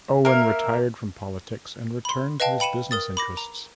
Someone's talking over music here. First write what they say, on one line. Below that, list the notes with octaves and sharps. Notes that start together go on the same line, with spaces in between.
Owen retired from politics and returned to his business interests.
A#3 A#4 E5
B5 C6
B4 D#5 F5 G5 A5
G5 B5 C#7 D#7 E7
A#4 D#6 A6
B5 D6 A#6
A#5